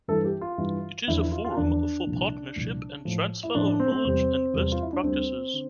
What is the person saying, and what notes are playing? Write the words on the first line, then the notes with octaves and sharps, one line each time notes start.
It is a forum for partnership and transfer of knowledge and best practices.
G2 E3 G3 A4
G4
F4
G2 E3 G3
E2 D3 F3 E4
E4
F4
F4
E2 D3 F3 D4
C2 A#2 F3
C2 A#2 F3
A2 F3
E4
A2 F3 D4
D4
C4
C4
E2 C3 G3 C4
E2 C3 G3
F4
E4
D4
D2 D3 G3 C4
D3